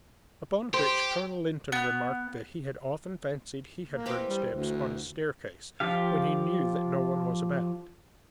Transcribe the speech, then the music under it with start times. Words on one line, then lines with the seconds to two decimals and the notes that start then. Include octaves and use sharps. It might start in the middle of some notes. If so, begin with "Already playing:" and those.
Upon which Colonel Lynton remarked that he had often fancied he had heard steps on his staircase, when he knew that no one was about.
0.74 G4 C5
1.72 B3
3.89 A#3
4.06 E3 C4 G4
4.28 G3
4.48 D2
5.80 F3 F4 G4 F5